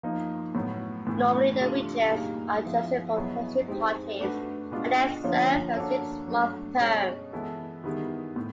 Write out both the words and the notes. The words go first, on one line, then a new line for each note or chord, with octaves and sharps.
Normally the Regents are chosen from opposing parties and they serve a six-month term.
F3 A#3 D#4
A2 F#3 B3
A2 E3 A3
C3 E3 A3 D4 F4
A#2 G3 A#3 D#4 G#4
F3 G#3 B3 E4
B2 F#3 B3 E4 G#4
G#3 C4 D#4 G4
A3 D4 F#4 B4
B2 G#3 B3 D4 F4
D3 F3 A#3 C#4 F4
A#3 D4 F#4 A4 C#5
F#3 A3 D4
B2 G#3 C#4
E3 G#3 B3 E4 A4
D#3 G3 B3 E4 G#4
A2